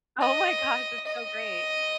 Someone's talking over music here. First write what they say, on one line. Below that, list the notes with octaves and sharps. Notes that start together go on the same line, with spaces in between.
Oh my gosh. That's so great.
D#5
D#5